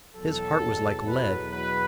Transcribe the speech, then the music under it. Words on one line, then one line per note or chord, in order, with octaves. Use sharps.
His heart was like lead.
E2 B2 F#3 A4
B4
B4